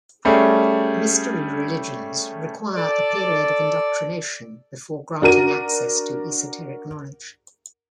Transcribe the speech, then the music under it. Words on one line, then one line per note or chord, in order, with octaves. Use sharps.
Mystery religions require a period of indoctrination before granting access to esoteric knowledge.
G3 A3 C#4 G#4
A4 D5
D4 F#4 A#4 D#7